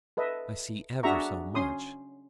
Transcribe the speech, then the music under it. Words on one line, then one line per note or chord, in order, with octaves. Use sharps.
I see ever so much.
A4 B4 D#5 E5
D4 F#4 G#4 E5 A#5 C#6
C#4 C6 D#6